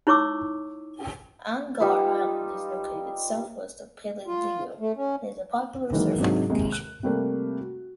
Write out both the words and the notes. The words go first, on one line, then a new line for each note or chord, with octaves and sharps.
Angaur Island is located southwest of Peleliu, and it is a popular surfing location.
D#4 E4 C#5 C#6 D6 E6
G3 D#4 F4 B4
F4
A3
C#4
D#3 E3 F#3 G#3 A#3 D#4
G#2 C3 F#3 A#3 D4 D#4
D#2 C3 G#3
F#6
C3 G3 A3 A#3
F#4